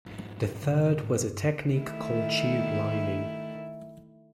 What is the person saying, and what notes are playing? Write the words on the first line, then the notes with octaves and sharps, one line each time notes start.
The third was a technique called tube lining.
F2 G#2
C#3
A2
G2
D#3 A3 E4